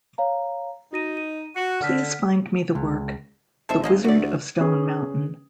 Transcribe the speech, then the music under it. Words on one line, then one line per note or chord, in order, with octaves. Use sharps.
Please find me the work, The Wizard of Stone Mountain.
C#5 F5 A#5
D#4 F#4 A#6 D#7
D#7
F#4 C#7
D3 F#5 F6 B6
C#2
G#1 A4 C5 E5
G#3 A#3 D#5
D2 F#4 D5
C#4 G#4 B4